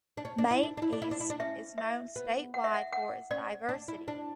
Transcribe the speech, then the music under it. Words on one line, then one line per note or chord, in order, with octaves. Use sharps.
Maine East is known statewide for its diversity.
D4
C#4
D4
E4
D4
D4
E4
D4
E4
D4
E4
D4
C#4 E5
E5
B3
F#5
E5
F#5
F#5
C#4 D5
D4
E4
D4